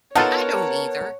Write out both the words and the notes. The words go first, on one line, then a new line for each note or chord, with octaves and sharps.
I don't either.
B3 D#4 F4 A4 A#4 C#5 F#5 A5